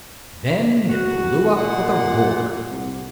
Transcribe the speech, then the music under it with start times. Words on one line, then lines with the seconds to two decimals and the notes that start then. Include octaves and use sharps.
Then it blew up with a roar.
0.88 F#4
1.57 A#2 F#5
2.71 C2